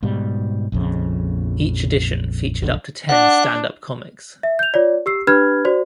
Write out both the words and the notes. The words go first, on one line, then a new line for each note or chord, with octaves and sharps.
Each edition featured up to ten stand-up comics.
G#2 B2 G3
A#1 F2 C#3
F1 B1 D3
D4 F#5
E5
G6 F7
F4 C#5 D5
G4 E6 C7
D4 G4 B4 B5 F6 G#6
F#4 C5 D5